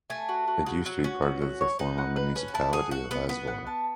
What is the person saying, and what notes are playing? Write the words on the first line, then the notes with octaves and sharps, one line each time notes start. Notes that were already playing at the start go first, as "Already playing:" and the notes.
It used to be part of the former municipality of Izvor.
A3 G#5
F#4
F#4
C#3 F#4
F#3 F#4
C#4 F#4
F#4
F#4
C#5
D#4 B4
F#5
B4
C#4 B4
F#4
E4 A5
G#4 F#5
F#4 F#5
B3 B4
B3 B4
F#5
A5